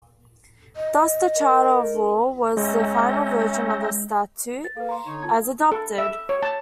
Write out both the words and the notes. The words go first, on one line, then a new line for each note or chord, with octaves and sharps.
Thus, the Charter of Law was the final version of the statute as adopted.
D#5
A#4
G#3 C#4 E5 G5 A#5
A6
A#3 A4 B4 F5
A#5 C6
D3 D#4 C#5
F4 A5 G#6
A4
E5
C#5
A5